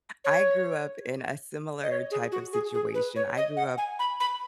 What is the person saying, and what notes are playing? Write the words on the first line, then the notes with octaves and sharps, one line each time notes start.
I grew up in a similar type of situation. I grew up
C#5
D#5
C#5
G#4
F#4
G#4
G#4
B4
C#5
D#5
F#5
G#5
B5
B5